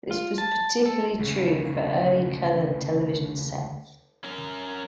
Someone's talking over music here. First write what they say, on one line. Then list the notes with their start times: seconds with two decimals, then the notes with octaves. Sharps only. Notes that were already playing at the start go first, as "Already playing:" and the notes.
This was particularly true for early color television sets.
0.11 F4
0.38 A5
0.86 A4
1.20 D2 C#3
4.24 C#4 A#4